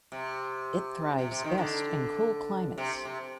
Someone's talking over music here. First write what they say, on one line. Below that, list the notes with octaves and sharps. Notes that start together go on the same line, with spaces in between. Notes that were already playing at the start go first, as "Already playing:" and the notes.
It thrives best in cool climates.
C3
C3
C3
D#3
D3
C3
C3